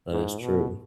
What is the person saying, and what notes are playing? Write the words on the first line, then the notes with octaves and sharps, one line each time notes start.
That is true.
G#2
B2